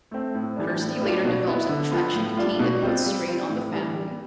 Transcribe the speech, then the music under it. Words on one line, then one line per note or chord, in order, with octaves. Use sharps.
Kirsty later develops an attraction to Kane that puts strain on the family.
A3 C4
A2
E3 G3 D4
A2
G3 D4 F4
B2
B3 E4
D3
F3 B3 F4
A2
G3 D4 F4
B2
G3 C4 F4
G3
C4 F4
A2
E3 G3
G3